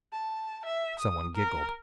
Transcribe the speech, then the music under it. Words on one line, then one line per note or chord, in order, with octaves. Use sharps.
Some one giggled.
A5
E5
D#6
A#4